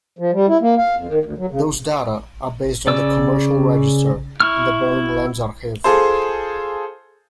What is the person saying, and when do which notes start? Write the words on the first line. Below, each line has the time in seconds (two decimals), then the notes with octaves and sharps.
Those data are based on the commercial register in the Berlin Landesarchiv.
0.19 F3
0.32 G3
0.48 E4
0.62 A#3
0.78 F5
0.96 F2
1.09 D#3
1.23 D2
1.38 F#3
1.51 C#3
2.87 C#3 D5 E6
4.40 E4 C#6 F6
5.84 F4 G#4 A4 C5